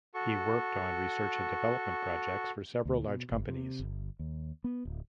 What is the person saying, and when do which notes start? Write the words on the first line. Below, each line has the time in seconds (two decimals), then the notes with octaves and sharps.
He worked on research and development projects for several large companies.
0.15 F#4 A4 C#6
2.85 D2
3.07 B2
3.32 G1
3.48 C3
3.80 G1
4.19 D#2
4.64 B3
4.85 D1